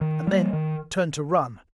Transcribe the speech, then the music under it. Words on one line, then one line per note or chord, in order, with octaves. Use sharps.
And then turned to run.
D#3
G3 A#3
D#3